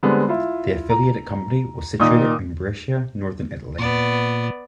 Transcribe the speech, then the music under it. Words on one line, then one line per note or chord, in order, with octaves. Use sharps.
The affiliated company was situated in Brescia, Northern Italy.
D3 G3 G#3 B3 C4
E4 F4
A#5
A#2 D#3 D#4 D#6
A#2 B3 D5